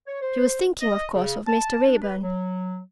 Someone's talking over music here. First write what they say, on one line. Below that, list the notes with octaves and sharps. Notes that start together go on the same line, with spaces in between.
She was thinking, of course, of Mr. Raeburn.
C#5
C5
D#5
C#3
A5
D4
B4
F#3